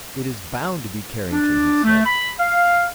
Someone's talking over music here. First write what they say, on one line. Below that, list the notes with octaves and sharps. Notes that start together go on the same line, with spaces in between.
"It is bound to be Carrington!" he said.
D4
A3
B5
F5